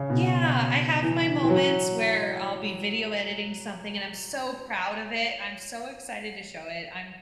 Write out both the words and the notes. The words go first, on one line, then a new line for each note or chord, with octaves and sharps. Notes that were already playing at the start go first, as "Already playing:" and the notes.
Yeah, I have my moments where I'll be video editing something and I'm so proud of it, I'm so excited to show it, I'm
Already playing: C#3
B2
E3
E3
F#3